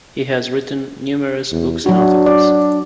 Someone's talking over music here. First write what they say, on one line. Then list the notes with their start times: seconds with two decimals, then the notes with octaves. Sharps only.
He has written numerous books and articles.
1.52 E2
1.86 F#3 D4 F#4
2.26 D5